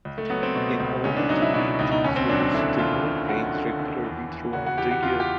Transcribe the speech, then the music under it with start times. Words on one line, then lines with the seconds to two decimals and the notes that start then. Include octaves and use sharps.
In order to meet these roles the Unit trains regularly throughout the year.
0.05 C#2
0.18 A3
0.30 F#3 B3
0.43 C4
0.55 B2
0.80 C#2
1.04 C#2 C#4
1.16 D4
1.29 F#3 D#4
1.42 E4
1.54 B2 E4
1.79 C#2 D#4
1.91 D#4
2.04 D#2 C#4
2.16 C4
2.29 F#3 D4
2.42 D4
2.53 D3 E4
2.79 D#2 F4
3.04 D#2
3.29 F#3 F#4
3.54 D3
3.79 D#2
4.04 E2
4.29 E3
4.53 C#3 F#4
4.66 F#4
4.78 E2 G4
4.91 F#4
5.03 E2 F4
5.20 G4